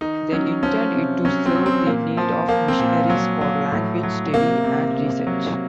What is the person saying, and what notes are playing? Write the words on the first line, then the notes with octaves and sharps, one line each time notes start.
They intended it to serve the need of missionaries for language study and research.
D#3 D#4
F#3 C#4
F3 C#4
C3
F#3 C#4
C4
F#3
C4
A#2 A#3
F3
F3 A#3
C4
A#2
F#3
F#3
A2
F#3
C3 A#3
C3
C3
F#3